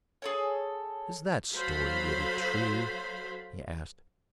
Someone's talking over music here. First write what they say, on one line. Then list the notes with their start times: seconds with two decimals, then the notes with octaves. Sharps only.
"Is that story really true?" he asked.
0.22 G#4 A4 C#5
1.53 F#3 F#4 A4 C5 F5 B5